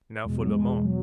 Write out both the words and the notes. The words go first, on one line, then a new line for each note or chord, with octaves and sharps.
"Now for La Mon."
E2 B2 G#3
F#3
G#3
F#3